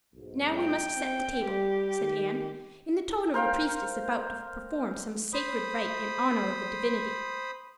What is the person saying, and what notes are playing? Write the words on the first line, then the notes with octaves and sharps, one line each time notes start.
"Now, we must set the table," said Anne, in the tone of a priestess about to perform some sacred rite in honor of a divinity.
B1 G#2
G5
C4
G3 G4
D#3
A#4 C5 F5 G5
C5 B5 D#6